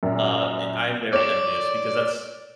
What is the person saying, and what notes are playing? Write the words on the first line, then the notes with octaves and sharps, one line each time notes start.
uh, i I am very envious because that's
F#2 A#2
C#5 D5 E7